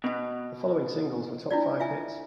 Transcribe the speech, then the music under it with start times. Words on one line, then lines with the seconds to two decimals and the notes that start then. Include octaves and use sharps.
The following singles were top five hits.
0.04 B2
1.51 D4 E4 F4 D5
1.80 F4 E5 G#5